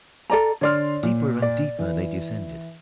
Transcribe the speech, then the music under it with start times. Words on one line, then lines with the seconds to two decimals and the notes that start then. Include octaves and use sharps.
Deeper and deeper they descended.
0.30 A4 D5 A#5
0.61 D3 C#5 D5 C6 F6
1.03 A#2
1.42 D5
1.79 E3